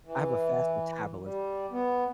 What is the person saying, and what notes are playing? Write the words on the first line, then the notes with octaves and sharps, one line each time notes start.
I have a fast metabolism
E3
G3
B3